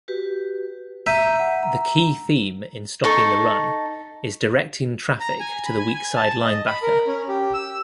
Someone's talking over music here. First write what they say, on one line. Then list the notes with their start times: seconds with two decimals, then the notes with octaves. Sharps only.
The key theme in stopping the run is directing traffic to the weak-side linebacker.
0.08 F#4 G4 B4
1.06 E5 A#5 G6 D#7
1.39 F#5
1.63 A#5
3.04 D#4 A4 C#6
5.20 A#5
5.40 G#5
5.65 B5
5.79 G#5
5.95 G#5
6.16 A5
6.45 D#5
6.67 B5
6.83 A#4
7.07 C#4
7.28 G4
7.54 E6